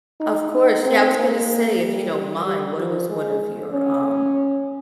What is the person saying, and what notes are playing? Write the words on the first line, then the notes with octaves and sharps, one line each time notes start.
Of course, yeah, I was gonna say if you don't mind what it was one of your um
D#4
D#4
C4
A#3
G3
G3
G3
F3
G#3
C#4